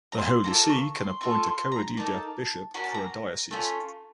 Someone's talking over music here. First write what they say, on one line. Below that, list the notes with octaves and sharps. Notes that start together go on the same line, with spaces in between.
The Holy See can appoint a coadjutor bishop for a diocese.
A#5
C6
A#3 F4 A4 A#5
C#6
C6
C4 F4 A4 C#6
C6
A#5
A#3 D#4 A4 A5
A#3 C#4 F#4 A#5
A5
A#5
A3 C#4 F4